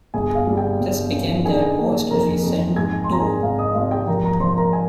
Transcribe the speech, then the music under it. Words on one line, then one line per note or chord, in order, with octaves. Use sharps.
This became their most recent tour.
G1 G#4 G#5
F5
G3
G4 G5
G1
C#4
D#3 G#4 G#5
A#3
F2 A#4 A#5
F2
G#2 G#5 G#6
C6
G#1 A#5
G#4 G#5
G#1 F5
D#5 D#6
G#1 F5
G4 G5
F3 A#4 A#5
A#4 A#5
F3 C5 C6
A#4 A#5
G#5